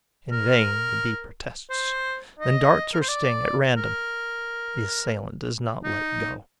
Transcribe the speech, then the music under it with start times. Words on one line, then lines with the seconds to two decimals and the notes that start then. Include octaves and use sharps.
In vain, the Bee protests and darts her sting at random; the assailant does not let go.
0.31 A#4
1.70 C5
2.39 D#5
2.94 A#4
3.00 C5
3.08 D5
3.77 A#4
5.84 D#4